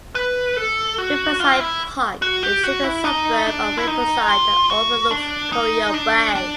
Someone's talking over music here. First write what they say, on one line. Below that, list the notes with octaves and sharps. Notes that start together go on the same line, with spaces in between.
Rippleside Park is in the suburb of Rippleside and over-looks Corio Bay.
B4
A4
F#4
F4
E4
F#4
G4
F#4
E4
D#4
D4
E4
D#4
F4
F#4
D4
D#4
D4
D4